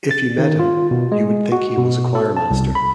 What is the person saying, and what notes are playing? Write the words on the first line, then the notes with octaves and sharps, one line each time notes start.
If you met him, you would think he was a choirmaster.
A6
D#3
F4
B2
G#3
F#4
B2
A4
A5
C2
B5